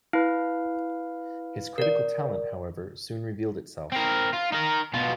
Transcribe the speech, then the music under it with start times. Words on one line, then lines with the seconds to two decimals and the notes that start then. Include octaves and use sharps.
His critical talent, however, soon revealed itself.
0.13 E4 B4 F5
1.78 A#4 D5
3.92 C4 A#4
4.33 F4
4.52 D#4 A#4
4.94 B2 F4